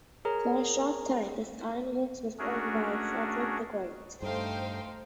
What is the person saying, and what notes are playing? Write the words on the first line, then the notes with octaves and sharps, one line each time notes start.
For a short time this ironworks was owned by Frederick the Great.
G#4 A#4 C#5 A#5
A3 C#4 D4 F#4 G#4 A#4
G2 A3 D#4 C5 F5 G5